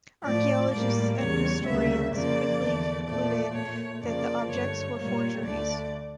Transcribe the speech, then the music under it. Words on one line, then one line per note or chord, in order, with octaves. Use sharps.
Archaeologists and historians quickly concluded that the objects were forgeries.
A2 F3 A3 D5
A2 G3 A#3 D5
E2 C#3 G3 C#5
D2 C#3 G3 A#3 E5
F2 C#3 F3 A#3 D5
E2 D3 A3
A#2 F3 A3 D5
A#2 A3 C#5
F2 C#3 F3 A#3 D5
G2 D3 A3 C#5
A#2 G3 A#3 C#5
D2 D3 A3 D5